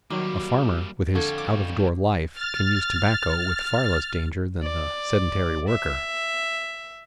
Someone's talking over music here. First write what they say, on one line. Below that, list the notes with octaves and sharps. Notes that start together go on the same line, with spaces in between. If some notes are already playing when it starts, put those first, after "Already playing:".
A farmer with his out-of-door life can use tobacco with far less danger than the sedentary worker.
D#3 F#3 G3 A#3 F#4 D6
F2 D3 G3 F5 C#6 G#6
D6
F6 A6
D5
E5